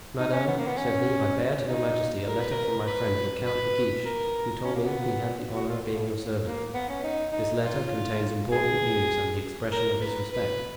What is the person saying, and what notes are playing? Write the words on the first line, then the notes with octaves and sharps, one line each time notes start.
"Madame," said he, "I bear to your majesty a letter from my friend the Count de Guiche, who told me he had the honor of being your servant; this letter contains important news and the expression of his respect."
D#4
C#4
B3
A#3
B3
C#4
D#4
A#4
B4
A#4
B4
B4
A#4
C#4
A#3
B3
F#4
F4
A#3
B3
C#4
D#4
D#4
F4
G#4
A#4
B4
B4